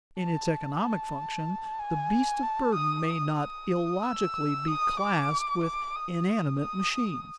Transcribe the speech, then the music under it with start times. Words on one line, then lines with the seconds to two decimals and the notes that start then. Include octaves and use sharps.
In its economic function the beast of burden may not illogically be classed with inanimate machines.
0.19 A5
0.82 A5
1.79 G#5
2.43 A5
2.75 D#6
3.07 D#6
3.39 D#6
4.04 E6
4.67 D#6
5.00 D6
5.63 D6
5.95 D#6
6.59 D#6